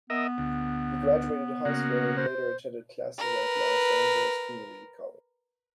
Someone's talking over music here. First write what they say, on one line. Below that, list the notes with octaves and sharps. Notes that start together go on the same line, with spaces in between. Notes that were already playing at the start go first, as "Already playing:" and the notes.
He graduated high school, and later attended classes at Los Angeles Community College.
B3 A#4 D#5 E5
D2
C#3 A#3 F#4
C5
A#4 B4